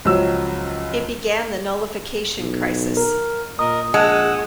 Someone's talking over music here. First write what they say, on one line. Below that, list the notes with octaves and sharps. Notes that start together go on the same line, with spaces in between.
It began the Nullification Crisis.
C#2 F3 F#3 E6
B1
A#4
A#2 A#4 D#5 D#6
A#1 G#3 F#5 E6